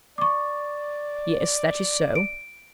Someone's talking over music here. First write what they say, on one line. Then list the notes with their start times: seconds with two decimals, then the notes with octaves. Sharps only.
"Yes, that is so."
0.18 D5 C#6 D6
2.15 D7